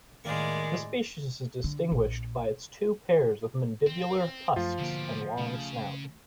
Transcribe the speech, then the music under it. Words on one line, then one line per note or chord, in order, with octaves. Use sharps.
The species is distinguished by its two pairs of mandibular tusks and long snout.
A2 D#3 G#3 A#3 D5 C#6
D3
A#1
C4
F#2 F3 A3 F4
B2 D3 A#3 G4
C#3 A3